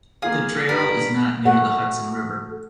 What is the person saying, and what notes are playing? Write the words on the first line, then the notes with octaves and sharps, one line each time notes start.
The trail is not near the Hudson River.
A#3 F4 G#4 F5
G2 A#4 B5
A3 F#4 F#5